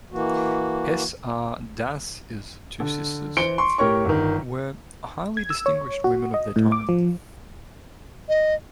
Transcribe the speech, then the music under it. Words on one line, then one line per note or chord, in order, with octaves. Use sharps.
S. R. Das's two sisters were highly distinguished women of their time.
E3 A#3 F#4
D3
E3 C5 C#7 D7 G7
C6 C#6
A2 G4 A#4 C#5 C#6
G1 D#3
G#6
E6
C#5
F#4
D#5
A2
D6
F3
D#5